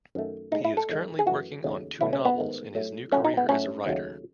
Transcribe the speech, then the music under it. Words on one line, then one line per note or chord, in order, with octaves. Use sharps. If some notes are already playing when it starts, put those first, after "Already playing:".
He is currently working on two novels in his new career as a writer.
F#2 D#3 A3
A2 G#3 D#4
E4
A4
E2 D#3 G#3
G#4
F#2 E3 A3 F#4
D#2 C#3 F#3 A3
C#2 B2 F#3 A3 E4
C#4
B3
G#2 D#3 A3
A2 F#3 A3
A2 F#3 A3 C#4
D#4
B3
A2 F#3 A3 C#4
D#2 C#3 F#3 A3